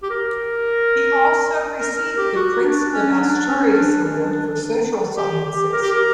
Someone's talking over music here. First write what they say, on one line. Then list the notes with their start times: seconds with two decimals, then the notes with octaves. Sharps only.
He also received the Prince of Asturias Award for Social Sciences.
0.03 G4
0.10 A#4
1.80 A#4
1.99 A#4
2.17 G4
2.36 F#4
2.63 D4
2.92 C#4
3.20 D4
3.48 C#4
3.75 D4
4.05 C#4
4.18 D4
4.32 D4
4.46 D4
5.17 G4
5.45 G4
5.73 A#4
5.82 G4
5.92 A#4